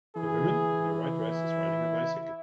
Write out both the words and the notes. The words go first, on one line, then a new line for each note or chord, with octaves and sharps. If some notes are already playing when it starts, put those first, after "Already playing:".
A woman in a white dress is riding a bicycle.
E3 G#4
E4